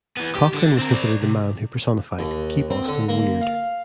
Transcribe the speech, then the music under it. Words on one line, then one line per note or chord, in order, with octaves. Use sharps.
Cochran was considered the man who personified Keep Austin Weird.
E3 B3
G4
D3
C4 A#4
C5 D5
C3
D#2
C4
D3
A#3
F5